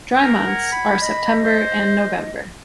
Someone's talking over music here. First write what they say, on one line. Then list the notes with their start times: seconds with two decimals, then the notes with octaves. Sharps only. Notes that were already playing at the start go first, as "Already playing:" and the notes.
Dry months are September and November.
0.22 A#4
0.46 F#5 G#6
0.72 B5
1.00 D#5
1.44 C5